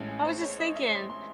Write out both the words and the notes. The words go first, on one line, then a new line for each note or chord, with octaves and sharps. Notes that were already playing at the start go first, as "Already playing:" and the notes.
I was just thinking,
Already playing: A1 A2 G#3 C#4
G#4
C5
C#5
D#5
E5
C6
C6